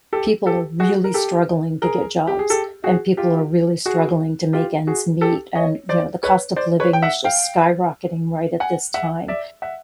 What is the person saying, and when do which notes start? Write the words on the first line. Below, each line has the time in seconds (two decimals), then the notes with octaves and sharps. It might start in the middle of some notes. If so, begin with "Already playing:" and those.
people are really struggling to get jobs, and people are really struggling to make ends meet, and, you know, the cost of living is just skyrocketing right at this time,
0.13 G4 A4
0.46 G4 A4
0.80 F#4 G#4
1.04 A#4
1.14 G4 A4
1.82 G#4 A#4
2.27 G4
2.39 G#4
2.50 G4 A4
2.84 F#4 G#4
3.17 F4 G4
3.86 F#4 G#4
4.53 F4 G4
4.87 F#4 G#4
5.21 G4 A4
5.55 C#5 D#5
5.89 C5 D5
6.23 B4 C#5
6.56 C5 D5
6.80 B4 C#5
6.93 G5
7.02 E5 F#5
7.25 F5 G5
8.60 F#5 G#5
8.94 E5 F#5
9.28 D5 E5
9.62 E5 F#5